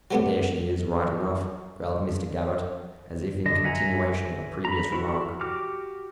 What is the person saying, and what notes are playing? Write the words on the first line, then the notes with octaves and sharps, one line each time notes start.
"There she is, right enough," growled Mr. Gabbett, as if in continuation of a previous remark.
F#3 G3 A3 B3 C4 G4
D3 D#5
E5 F#5 G#5 A#5
A#5 B5
E4 F#4 A4
F#4 G4 D6 F6